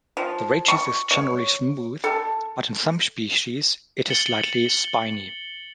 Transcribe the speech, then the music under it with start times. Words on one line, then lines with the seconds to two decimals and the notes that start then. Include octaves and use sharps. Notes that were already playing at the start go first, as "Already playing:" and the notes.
The rachis is generally smooth, but in some species it is slightly spiny.
0.17 F3
0.68 C#6
1.11 C#5
2.04 A4
4.10 A6 C#7 F#7 G7